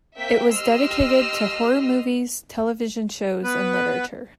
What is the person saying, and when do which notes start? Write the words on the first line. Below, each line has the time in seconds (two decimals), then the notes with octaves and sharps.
It was dedicated to horror movies, television shows and literature.
0.16 A#3 C4 E5 G5 B6
0.53 G4 D#5 C6 E6 F6
3.43 B3 B4